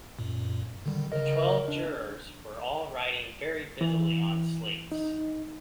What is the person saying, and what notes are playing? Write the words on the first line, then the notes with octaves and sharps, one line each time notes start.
The twelve jurors were all writing very busily on slates.
F#2 A#2
D3 D#3 G3
C#3 A#4 D#5
D4
E3
D#4